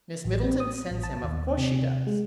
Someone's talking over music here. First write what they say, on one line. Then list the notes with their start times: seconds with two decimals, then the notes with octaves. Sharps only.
"Miss Middleton sends him; of course she does."
0.24 A1
0.44 C4
0.60 D#6
0.91 A1
1.03 A5
1.23 D#2
1.57 C3
2.07 G#3